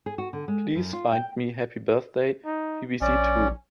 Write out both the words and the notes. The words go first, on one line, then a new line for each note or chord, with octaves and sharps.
Please find me Happy Birthday BBC Two.
G#4
F#4
D3
G#3
F#2
F4
G5
D#4
A#1 C#4 D5